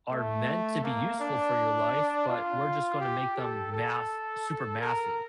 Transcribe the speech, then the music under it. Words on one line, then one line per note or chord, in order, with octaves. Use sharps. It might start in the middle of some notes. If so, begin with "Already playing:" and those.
are meant to be useful for your life, but we're just gonna make them math super mathy,"
A3
A#3
D4
F4
G4
A4
A4
A#4